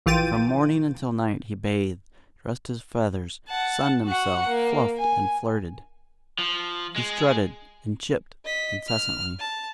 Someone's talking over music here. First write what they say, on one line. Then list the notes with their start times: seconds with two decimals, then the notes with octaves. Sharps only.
From morning until night he bathed, dressed his feathers, sunned himself, fluffed and flirted. He strutted and "chipped" incessantly.
0.06 A#1 E3 F4 G5 A6 D#7
3.48 F#5 A5
4.04 F#4 F#5
4.48 A#3
4.98 G#5
6.39 F3
6.96 G#3
8.45 D#5 B6
8.88 F6
9.39 A5